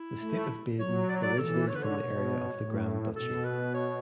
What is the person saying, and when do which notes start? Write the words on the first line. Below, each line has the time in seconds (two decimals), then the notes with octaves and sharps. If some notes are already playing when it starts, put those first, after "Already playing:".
The state of Baden originated from the area of the Grand Duchy.
Already playing: E4
0.21 A3
0.79 F#3 C#5
1.09 D5
1.16 C#5
1.22 D5
1.38 E3 A4
1.68 D3 C#5
1.75 B4
1.83 C#5
1.97 B2
2.56 A2
3.15 B2 A4
3.44 B4
3.74 C#5